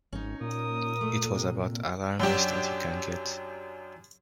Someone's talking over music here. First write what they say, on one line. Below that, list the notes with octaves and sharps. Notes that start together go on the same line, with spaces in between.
It was about alarmist as you can get.
G#1 C#4 D#4
A#2 A#4 D#6
A3
C3
F#2 F#3 D4 G4